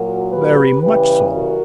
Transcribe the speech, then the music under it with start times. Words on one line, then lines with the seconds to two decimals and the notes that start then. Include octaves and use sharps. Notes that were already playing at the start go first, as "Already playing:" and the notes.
"Very much so."
Already playing: A#2 F#3 F#4 A#4
0.31 G4 B4
0.82 C#3 E3 G3 G4 B4
1.33 F#4 A#4